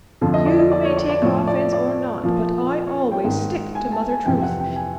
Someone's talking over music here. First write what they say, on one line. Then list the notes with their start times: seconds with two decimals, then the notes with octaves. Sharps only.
You may take offense or not but I always stick to mother truth.
0.21 F2 D3 F3
0.34 D#5
0.46 D5
0.59 D#5
0.72 D5
0.85 C#5
0.97 D5
1.09 D5
1.22 A2 F3 C#5
1.48 D5
1.73 D5
2.23 A#2 F3
2.87 C#5
3.12 G5
3.24 G#2 D#3
3.75 G#5
3.92 A5
4.09 G#5
4.26 F2 C3 E3 G5
4.42 F#5
4.60 G5
4.76 G#5